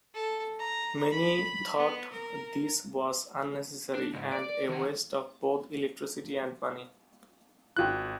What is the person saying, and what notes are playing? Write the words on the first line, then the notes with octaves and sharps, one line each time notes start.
Many thought this was unnecessary and a waste of both electricity and money.
A4
A#5
B5
B3
A#4
D4
C#2 G#2
D5
D#3 F#5
G#1 F4 F#4 G5 F#6